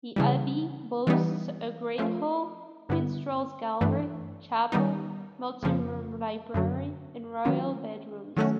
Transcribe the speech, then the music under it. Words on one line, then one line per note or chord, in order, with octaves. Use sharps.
The abbey boasts a great hall, minstrels' gallery, chapel, multi-room library, and royal bedrooms.
C#3 E3 G3
E3 G3 B3 D#4
F3 A3 C#4 F4
G2 D3 G3 B3 E4
G2 E3 A3 D4
D#3 G3 B3 D#4
F2 C#3 F3 A#3
F#2 D3 F#3
D#3 F#3 A#3 C#4 F4
D#3 F#3 A3 C#4 F#4